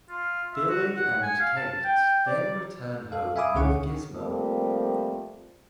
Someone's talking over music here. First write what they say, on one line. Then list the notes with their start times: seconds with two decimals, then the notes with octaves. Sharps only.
Billy and Kate then return home with Gizmo.
0.10 F4
0.55 E5
0.69 F#4
0.96 F#5
1.22 G#5
1.40 F5
1.57 A5
1.84 G5
2.26 D5
3.12 A4 F5
3.36 E5 F5 G#5 B5 D6 D#6
3.54 C#2 D3 C#4 G#4 F#5 C#6
4.14 C3 F3 G3 A3 A#3 C4